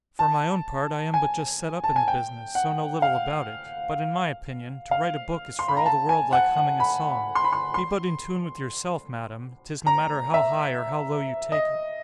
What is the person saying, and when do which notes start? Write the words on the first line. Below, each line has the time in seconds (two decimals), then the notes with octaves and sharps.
For my own part, I am but just set up in the business, so know little about it--but, in my opinion, to write a book is for all the world like humming a song--be but in tune with yourself, madam, 'tis no matter how high or how low you take it.
0.19 A5
1.14 G#5
1.84 A5
1.96 G#5
2.08 G5
2.55 F#5
3.02 F5
4.91 F5
5.59 C6
5.68 B5
5.77 A#5
5.86 A5
6.09 G#5
6.33 F#5
6.56 F#5
6.80 B5
7.35 C6
7.44 B5
7.53 C6
7.74 C6
9.87 A#5
10.34 E5
11.52 D#5